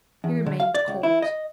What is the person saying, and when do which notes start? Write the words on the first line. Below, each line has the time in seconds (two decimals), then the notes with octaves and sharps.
He remained cold.
0.24 E2
0.46 D3
0.60 F5
0.74 D5
0.88 C#2
1.03 E4
1.22 D#5